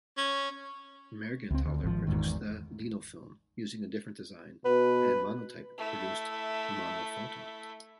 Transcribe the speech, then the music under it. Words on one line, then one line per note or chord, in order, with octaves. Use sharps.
Mergenthaler produced the Linofilm using a different design, and Monotype produced Monophoto.
C#4
C#2 C4
D2
G#1 F3
G#1 E2 G#2 D#3
B2 B4
A3 E4